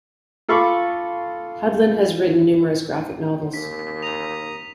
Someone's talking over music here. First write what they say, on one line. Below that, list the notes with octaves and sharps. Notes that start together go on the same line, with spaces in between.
Hudlin has written numerous graphic novels.
F4 A4 F5 B5 C#6 D6
D#2 B6
A#5 D#6 F7